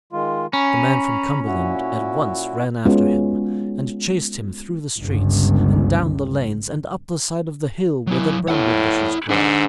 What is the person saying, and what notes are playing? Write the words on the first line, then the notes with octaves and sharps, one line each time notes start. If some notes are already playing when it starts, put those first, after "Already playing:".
The man from Cumberland at once ran after him, and chased him through the streets and down the lanes and up the side of the hill where the bramble-bushes grow.
D#3 G#3 F4
C#4 A#5 B5
A#2 E4 F#4
G#3 B3 C#4 F4 F#4
G1 C#2
F#3 E4
A2 E4 F#5
G#2 D4 F#5